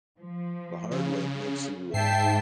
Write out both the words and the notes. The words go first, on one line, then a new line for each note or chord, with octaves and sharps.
the hard way makes you, uh,
F3
C#3
G#2 E5 G5 A5 C7